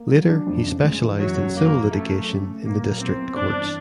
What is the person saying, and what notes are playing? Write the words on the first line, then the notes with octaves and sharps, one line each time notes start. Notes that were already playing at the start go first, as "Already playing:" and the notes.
Later he specialised in civil litigation in the District Courts.
Already playing: A#3
F#3
D4
F2
C#3
G#3
E3
F#2 F#3
C#3
F#2 A#3
F3
C#3 A3
F#3
C#4
A3
A#2 A#3
F#3
C4 E4
B3
G2 D4
E3